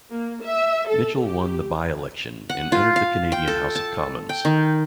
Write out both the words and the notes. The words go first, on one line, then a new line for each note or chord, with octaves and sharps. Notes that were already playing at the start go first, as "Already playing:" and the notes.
Mitchell won the by-election, and entered the Canadian House of Commons.
A#3
E5
A4
G4
F#5
F4
F5
G5
A4
A5
G5
D#3